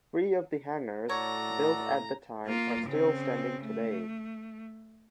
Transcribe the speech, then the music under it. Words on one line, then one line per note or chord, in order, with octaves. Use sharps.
Three of the hangars built at the time are still standing today.
A2 F#4 A4 C#5 D5 A#5
A#3 F4
C#3 C4
A3